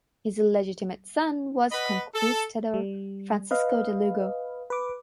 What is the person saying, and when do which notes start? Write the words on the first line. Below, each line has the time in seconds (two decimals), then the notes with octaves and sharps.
His illegitimate son was "conquistador" Francisco de Lugo.
1.71 B4 D#5 F#5 B5
2.14 A4
2.74 G3
3.51 B4 D#5 F5
4.70 B4 D6